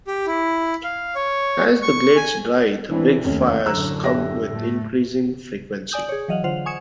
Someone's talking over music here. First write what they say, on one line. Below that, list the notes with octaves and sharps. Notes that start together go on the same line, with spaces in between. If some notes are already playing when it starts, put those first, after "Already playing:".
As the glades dry, the big fires come with increasing frequency.
G4
E4
F5
C#5
C#6
G#5
E3 C4 D4 E4
F1 D#2 C#4
F#2 A2 D3 A#5 E6 F#6
G4 E5 A#6
A2 A3
D5 G#5 D#6 G6 F#7
G#4 C#5
E3 F#3 D#5 F5 F#5
D3 F4 C5 F#5 F7
G#5 C#6 D#6 G#6 C#7 E7